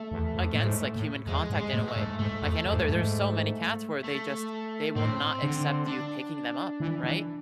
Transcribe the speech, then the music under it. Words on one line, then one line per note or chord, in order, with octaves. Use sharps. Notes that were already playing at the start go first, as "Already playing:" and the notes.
against, like, human contact in a way, like, I know there there's so many cats where they just they will not accept you picking them up, right?
Already playing: A3
E2
F2
A2
G#2
A2
F2 G#3
G#2
G#3
A2
A3
G#2
G#2 A3
F2
F2
G#2
F2
G#2
A3
A2 C4
D3
D4
E3
E3